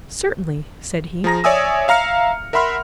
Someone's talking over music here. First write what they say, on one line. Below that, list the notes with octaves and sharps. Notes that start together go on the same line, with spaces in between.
"Certainly," said he.
F3 G#4 A#5 A#6
C#5 D5 E5 G#5 D#6 E6
E5 F5 A#5 F6 C#7
A#4 E5 F#5 B5 C6 F6